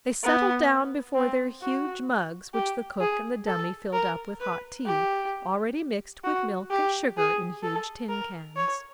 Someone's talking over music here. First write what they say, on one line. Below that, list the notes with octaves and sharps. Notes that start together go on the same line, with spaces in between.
They settled down before their huge mugs which the cook and the dummy filled up with hot tea, already mixed with milk and sugar in huge tin cans.
B3
C4
F#4
G4
G#4
A4
A#4
B4
G4
F#4
G4
G#4
A4
A#4
C#5